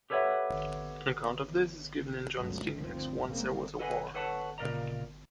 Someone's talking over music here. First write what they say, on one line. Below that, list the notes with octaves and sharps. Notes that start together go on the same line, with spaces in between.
An account of this is given in John Steinbeck's Once There Was a War.
G4 A4 B4 C#5 E5 F#5
C#2 G2 F#3 G3 A3
D2 G2 D3 D#3 F3 C4
C#3 G3 G#3 A#3 C4
A4 B4 D#5 F#5 G#5
A4 B4 C#5 F#5 G#5 A5
A#2 C#3 A#4 D5 D#5 A#5